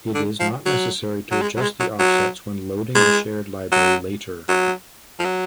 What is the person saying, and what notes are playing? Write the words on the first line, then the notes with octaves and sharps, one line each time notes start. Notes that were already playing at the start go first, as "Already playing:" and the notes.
It is not necessary to adjust the offsets when loading the shared library later.
D3
F3
F#3
F#3
G#3
F#3
G#3
F#3
F#3
G#3
F#3
F#3
F3
F#3